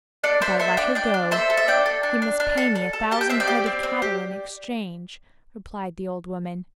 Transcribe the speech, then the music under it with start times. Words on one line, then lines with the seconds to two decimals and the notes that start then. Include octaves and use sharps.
'If I let her go he must pay me a thousand head of cattle in exchange,' replied the old woman.
0.24 D4 A4 D5
0.42 D4 C5 E5
0.59 A4 C5 E5
0.77 D4 D5 G5
0.95 D4 D5 G5
1.14 D4
1.31 A4 C5 E5
1.50 A4
1.57 E5
1.67 D4 D5 G5
1.86 A4
2.03 D4
2.22 D4
2.40 D4
2.57 A4
2.75 A4
2.93 A4
3.11 G4 A5
3.21 G5
3.29 C4 E5
3.40 D5 G5
3.48 G4
3.66 C4
3.83 C4
4.02 G4